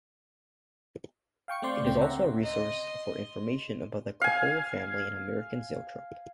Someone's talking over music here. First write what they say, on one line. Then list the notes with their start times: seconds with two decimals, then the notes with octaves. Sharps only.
It is also a resource for information about the Coppola family and American Zoetrope.
1.48 F5 G5 C#6 C#7
1.62 A3 C4 D5 C6 G6
1.83 D2 C#3 C4 G5
2.01 C#5 E5 F#5 A#5
2.42 D#5 C6
4.21 F5 G#5